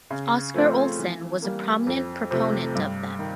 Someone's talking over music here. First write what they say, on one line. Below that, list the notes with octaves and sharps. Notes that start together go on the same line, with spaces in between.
Oscar Olsson was a prominent proponent of them.
C#3
F3 A3 C4
E3
G3 A#3
F2
C3 F3 A3
G2
D#3